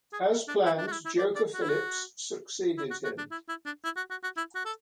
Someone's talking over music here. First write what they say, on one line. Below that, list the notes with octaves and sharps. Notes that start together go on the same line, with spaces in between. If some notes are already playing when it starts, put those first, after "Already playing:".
As planned, Joker Phillips succeeded him.
G#4
D4
E4
D4
F#4
E4
E4
D5
D5
F#4
E4
F#4
E4
F#4
F#4
D4
E4
E4
D4
E4
F#4
F#4
F#4
E4
F#4
A4